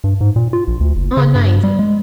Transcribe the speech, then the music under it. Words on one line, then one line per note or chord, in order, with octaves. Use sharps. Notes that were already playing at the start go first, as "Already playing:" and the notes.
Oh, nice.
G2
G#2
A#2
F4
A#1
D2
F#1
C#3
G2
G3
G#3